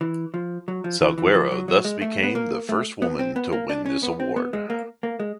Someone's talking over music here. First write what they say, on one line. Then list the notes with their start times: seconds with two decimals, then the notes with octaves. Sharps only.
Salguero thus became the first woman to win this award.
0.01 E3
0.34 F3
0.68 F#3
0.84 F3
1.01 E3
1.18 E3
1.35 F3
1.51 F#3
1.68 F#3
1.85 G#3
2.02 A3
2.23 B3
2.35 A#3
2.69 A3
3.02 B3
3.19 C4
3.36 B3
3.52 A#3
3.69 D4
3.86 C#4
4.03 B3
4.20 C4
4.36 B3
4.53 G#3
4.70 A#3
5.03 A#3
5.20 G#3